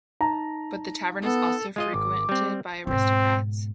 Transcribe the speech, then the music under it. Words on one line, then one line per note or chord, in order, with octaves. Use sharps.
But the tavern is also frequented by aristocrats.
D#4 A5 A#5
B3 A4
G#3 F4 D#5
G#1 D6
G3 C4
G#2 B2 C4